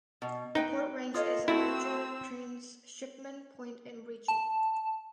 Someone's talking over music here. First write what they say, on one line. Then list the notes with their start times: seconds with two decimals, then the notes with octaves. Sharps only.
The port ranks as a major transshipment point in region.
0.22 B2
0.55 D#4 B4 G5
1.14 F4 A4 C#5 D#5 F5
1.48 A3 C4 E4 F#4 A4 E6
4.28 A5